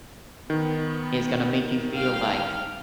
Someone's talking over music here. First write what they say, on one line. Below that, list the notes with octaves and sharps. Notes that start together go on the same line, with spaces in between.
is gonna make you feel like
D#3 B3
G1 F5 G5